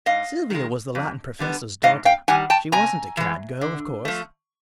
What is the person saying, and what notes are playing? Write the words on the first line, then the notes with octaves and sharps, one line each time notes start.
Sylvia was the Latin professor's daughter; she wasn't a Cad girl, of course.
G#2 D#5 F5
D#3 G#3
F2
D3 G3 B3
G#2 D#5 F5
F5 G5
D#3 G3 F#5 G#5
G5 A5
C3 G#5 A#5
E3 G#3
D3
F3 A3